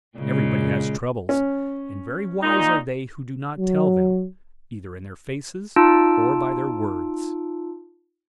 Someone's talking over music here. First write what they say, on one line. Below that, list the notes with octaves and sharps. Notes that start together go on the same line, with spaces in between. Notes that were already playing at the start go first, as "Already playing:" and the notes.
Everybody has troubles; and very wise are they who do not tell them, either in their faces or by their words.
A#2 C#3 G#3
C#4
A#2 D#4
F#3
D#4 F4 A5 E6 D7